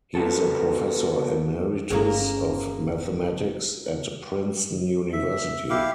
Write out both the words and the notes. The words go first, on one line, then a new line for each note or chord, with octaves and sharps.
He is a professor emeritus of Mathematics at Princeton University.
A#3 B3 F#4 A4
G1 A#3 C#4 G#4
E5
E4 G4 F5